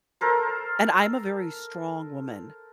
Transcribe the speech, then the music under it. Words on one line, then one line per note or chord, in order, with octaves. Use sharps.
And I'm a very strong woman
A4 A#4 C5